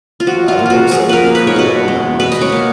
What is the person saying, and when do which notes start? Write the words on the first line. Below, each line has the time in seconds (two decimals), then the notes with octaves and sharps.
w I've always thought it'd be cool to own a monkey.
0.20 F4
0.26 F3 F#4
0.48 F4
0.59 A#3
0.66 F4 F#4
0.91 F3 G#4
1.09 A#4 B4
1.24 A#3
1.35 B4
1.47 C#5
1.56 B2 B4
1.88 G#3
2.20 B2 B4
2.32 D#5
2.41 C#5
2.52 A#3